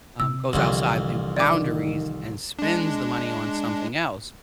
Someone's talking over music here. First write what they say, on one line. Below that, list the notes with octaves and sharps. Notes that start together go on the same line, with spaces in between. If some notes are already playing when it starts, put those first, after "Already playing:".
um, goes outside the boundaries and spends the money on something else?"
C3 E6
C2 F2 D3 E3
D#3 D5 D6
G#3 D4